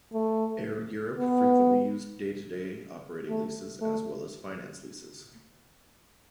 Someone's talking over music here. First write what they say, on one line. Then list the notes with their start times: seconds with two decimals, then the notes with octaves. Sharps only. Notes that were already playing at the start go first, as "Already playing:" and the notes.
Air Europe frequently used day-to-day operating leases as well as finance leases.
0.13 A3
1.18 B3
3.29 A3
3.81 A3